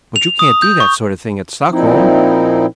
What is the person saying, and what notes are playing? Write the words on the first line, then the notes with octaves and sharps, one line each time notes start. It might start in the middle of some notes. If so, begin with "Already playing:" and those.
"But you can't do that sort of thing at Stockholm!"
F7
D#6
G6
C#6
A#2 F3 C4 D#4 E4